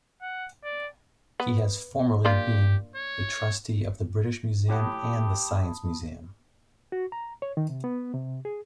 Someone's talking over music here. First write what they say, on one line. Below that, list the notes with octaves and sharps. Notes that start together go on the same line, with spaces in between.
He has formerly been a Trustee of the British Museum and the Science Museum.
F#5
D5
B3
A#3 D4 F4 G4
C#5
A2 G4 F#5 A5 B5 D#6
F#4
A#5
C#5
D#3
C3
B3
C3
G#4